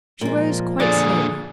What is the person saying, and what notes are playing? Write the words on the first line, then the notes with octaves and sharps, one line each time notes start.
She rose quite slowly.
A#2 F3 G#3
A#2 D3 G#4 D5